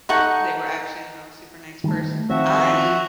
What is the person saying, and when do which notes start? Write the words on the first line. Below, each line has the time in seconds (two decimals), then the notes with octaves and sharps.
they were actually, you know, a super nice person I
0.09 D#4 A4 F#5 C#6
1.84 D#3 G3 A3
2.29 D#3 F3 C4 F#4 E5